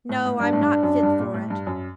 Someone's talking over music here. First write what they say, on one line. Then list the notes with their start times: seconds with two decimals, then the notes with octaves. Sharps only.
No; I'm not fit for it.
0.09 A2
0.25 A2
0.40 G2 D4
0.53 A2
0.61 G2
0.83 F#2
1.03 G2
1.20 A#2
1.34 A2
1.50 G2
1.67 F#2